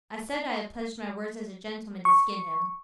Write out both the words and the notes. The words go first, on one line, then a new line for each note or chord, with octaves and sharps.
'I said I had pledged my word as a gentleman to skin him.
C#6